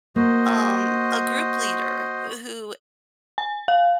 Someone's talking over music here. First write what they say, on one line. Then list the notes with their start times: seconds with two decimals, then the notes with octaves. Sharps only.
um, a group leader, who
0.16 A#3 F#4 C5 D#5
3.38 G#5
3.68 F5